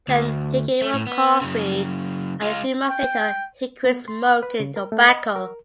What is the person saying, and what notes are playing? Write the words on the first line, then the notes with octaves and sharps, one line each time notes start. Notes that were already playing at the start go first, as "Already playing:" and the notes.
Then he gave up coffee and a few months later he quit smoking tobacco.
D2
A3
A2
B3
F#2 C#3
G#3 F4
G5
B3
C6
F6
B4
C#3
A#4
A3
D#5
A#4